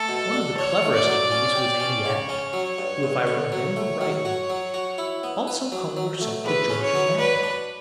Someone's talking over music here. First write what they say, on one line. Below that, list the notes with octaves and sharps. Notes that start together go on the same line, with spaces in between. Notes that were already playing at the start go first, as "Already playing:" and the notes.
One of the cleverest of these was Annie Abbott, who, if I remember rightly, also called herself The Georgia Magnet.
Already playing: A3 A4
B2
D4
D4 C#5
A3
D5
F#3
C#4
G4
C#4
C#3 C#5
C#4
F#3
G2
G2
D3
F#3 C#5
A3
F#3
F#4
F#3
F#4
E4
B3
B4
F#3
F#3
A3
E2 B4
C#4
C#5
F#3
D4 B4
D4